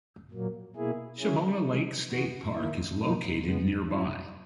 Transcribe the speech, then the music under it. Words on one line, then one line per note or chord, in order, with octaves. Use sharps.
Shabbona Lake State Park is located nearby.
A#2 F#3 A#3
B2 A#3 E4 G#4
F#3 C#4 E4 G#4
C#3 E3 G#3
E3 B3 F#4
D#3 A#3 E4
B2 F#3 A#3 D#4
C#3 G#3 B3
F#3 C#4 E4